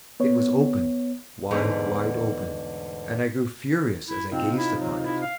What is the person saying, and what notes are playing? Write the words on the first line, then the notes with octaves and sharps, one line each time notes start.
It was open--wide, wide open--and I grew furious as I gazed upon it.
B3 C#5
E2 G#2 B2 D3 A3 D#4
E4
C3 C4 D#4 F4
E4
F#3
E4
F5